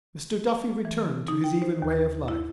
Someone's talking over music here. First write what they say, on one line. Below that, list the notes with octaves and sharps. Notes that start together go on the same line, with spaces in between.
Mr. Duffy returned to his even way of life.
E3
D#4
G5
C5
D#2
E4